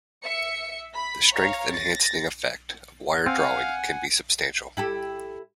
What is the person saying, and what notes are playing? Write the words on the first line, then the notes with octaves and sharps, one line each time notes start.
The strength-enhancing effect of wire drawing can be substantial.
E5 C#7
B5 B6
C#5 F5 A#5
A6 A#6
C4 F5 F#5 G#5
E4 G4 A4